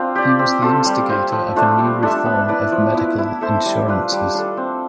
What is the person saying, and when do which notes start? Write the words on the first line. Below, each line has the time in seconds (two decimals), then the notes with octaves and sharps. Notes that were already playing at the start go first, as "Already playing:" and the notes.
He was the instigator of a new reform of medical insurances.
Already playing: C4 D4 F4 F5
0.15 G4 D5
0.39 C4
0.62 F4 A4
0.85 G3
1.09 C4 F4
1.32 F3
1.56 A3 D4 F4
1.78 G3
2.03 D4 A4 E5
2.25 B3
2.48 E4 B4 D5
2.72 F3
2.95 B3 E4
3.18 E4
3.41 A4 C5 E5
3.65 G3
3.88 D4 F4 B4
4.12 G3
4.35 D4 A4
4.57 C4